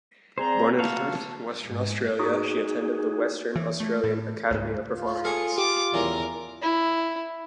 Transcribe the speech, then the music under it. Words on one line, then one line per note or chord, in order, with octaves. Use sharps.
Born in Perth, Western Australia, she attended the Western Australian Academy of Performing Arts.
C4 G#4 C5 D5 A#5
F#4 F5 A5
G#2
D#4 F#4 G#4
E3
A3
A2
C#2 G#2
F4
G#4 A4 F5 C#7
G4 D6
E2 C#4 A#4
E4